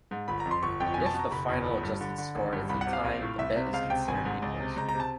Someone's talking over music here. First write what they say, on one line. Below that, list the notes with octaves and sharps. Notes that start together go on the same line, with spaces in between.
If the final adjusted score is a tie, the bet is considered a push.
G#2
G1 B5
A#5
F2
C6
G1 C#6
F2 G5
B2 G#5
A5
B2 A#5
F#1 B5
E2
G1
G2
D3
D3
G#1
G2
C2 B5
F#5
C3
F5
A#1
A2
C2 E5
C3
C#2 F5
C3 G5
G#1 G#5
G#2
C#2
C3
C#2 A#5
A#5
C3
A5